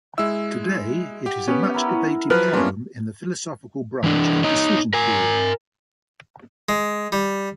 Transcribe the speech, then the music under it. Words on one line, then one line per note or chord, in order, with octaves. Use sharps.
Today it is a much debated problem in the philosophical branch of decision theory.
G#3 E4 E6
G4 F#5
B3 C#4
E4 A#4
F3 F#3 B4 F6
G3 A#3 B3 C#4 D4 F4 A5
E3 D4
D#4 C#5 D#5
A#4 G#5
G#3
G3